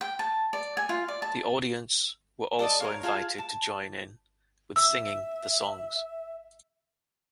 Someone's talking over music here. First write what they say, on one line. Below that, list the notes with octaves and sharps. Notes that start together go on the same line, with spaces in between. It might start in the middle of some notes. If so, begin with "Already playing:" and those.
The audience were also invited to join in with singing the songs.
G5
A5
D5
G#5
F4
D5
A5
A4 D5 D#5 A5
A#4 C#5 F5
F4 G#4 F5 A5
A5
E5 E6